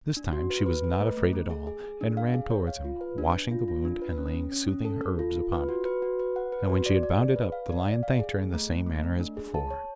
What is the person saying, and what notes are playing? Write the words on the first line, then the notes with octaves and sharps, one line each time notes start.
This time she was not afraid at all, and ran towards him, washing the wound and laying soothing herbs upon it; and when she had bound it up the lion thanked her in the same manner as before.
D4
F#4
B4
B4
B4
A3
A3
A3
G#4
G#4
G#4
D4
F5
G#4
C#5
F5
F4
B4
D4
D4
F4
F4
D4
B4
C#4
C#4
C#4
C#4
A4
A4
F4
F4
B4
F#4
B4
F#4
B4
F#5
B4
F#4
D5
D5
G#4
B4
F5
D5
D5
F5
G#4
G#4
A3
A3
A3
A3
D4
G#4
A5
C#5